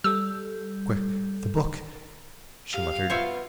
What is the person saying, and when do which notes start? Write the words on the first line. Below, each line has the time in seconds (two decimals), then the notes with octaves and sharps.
"Quick--the book," she muttered.
0.04 G3 A4 E6
2.74 G4 F5
3.10 B3 F4 C5 C#5 E5